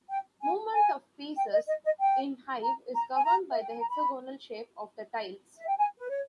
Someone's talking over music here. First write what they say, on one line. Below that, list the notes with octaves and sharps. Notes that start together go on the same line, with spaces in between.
Movement of pieces in "Hive" is governed by the hexagonal shape of the tiles.
G5
G#5
G#5
G5
D#5
D#5
D#5
G5
A#5
A#5
G#5
A#5
E5
G5
G#5
A#5
B5
E5
G5
G#5
B4
C#5